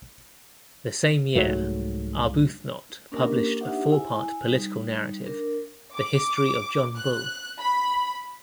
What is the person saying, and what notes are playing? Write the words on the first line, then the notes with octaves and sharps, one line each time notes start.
The same year Arbuthnot published a four-part political narrative "The History of John Bull".
C2 G#2 F#3 A3
A#3 C#4 D4 G4 A#4
D4 D#4 G4 C5 E5 F#5
E4 G#5
G3 D#4
D4 A#4
D6
F#6
B5